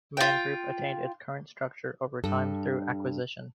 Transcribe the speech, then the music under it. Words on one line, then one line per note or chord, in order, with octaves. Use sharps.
Man Group attained its current structure over time through acquisition.
F4 G5
G2 A4